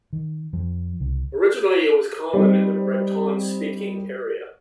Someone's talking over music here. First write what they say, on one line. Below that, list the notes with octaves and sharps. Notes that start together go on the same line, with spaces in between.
Originally, it was common in the Breton-speaking area.
D#3
F2 F3
C2 C#3
G3 C4 D#4